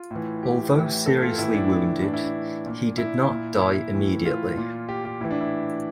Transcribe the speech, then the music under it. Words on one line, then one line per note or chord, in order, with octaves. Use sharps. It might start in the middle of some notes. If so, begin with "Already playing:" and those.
Although seriously wounded, he did not die immediately.
Already playing: F4
A2 E3
G4
A2 E3
A4
F4
A2 E3 E4
D4
A2 E3 D4
E4
D4
A#2
E4
A#2
E4
A2 E3
F4
A#2
G4
G4
A2 E3 E4
D4
E4